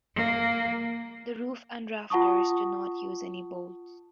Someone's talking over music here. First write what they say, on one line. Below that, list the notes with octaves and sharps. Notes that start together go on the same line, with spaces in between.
The roof and rafters do not use any bolts.
A#3
F4 F#5 A5 C#6 D#6